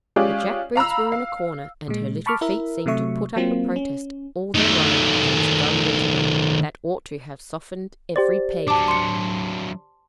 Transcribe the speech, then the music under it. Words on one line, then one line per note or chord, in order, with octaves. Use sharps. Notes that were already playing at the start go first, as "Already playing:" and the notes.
The jack-boots were in a corner, and her little feet seemed to put up a protest all their own, against going into them, that ought to have softened every peg.
G#3 C#4 F4 G4 D5
F5 A#5 B5 E6
F5
A#2 G#3
A5 B5 C#6 D6 F6
E4 A#4 E5
C3 F#3 A3 E5 C#6
F#3 A#3 C4 F4
C#4
D#3 A3
G4 C5 D5 A6
F#3 D4 A5 D6
C6 C#7